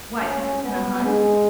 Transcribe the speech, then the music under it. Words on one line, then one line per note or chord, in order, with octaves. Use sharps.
Why, 'cause it's gonna hunt?
C#4
B3
G#3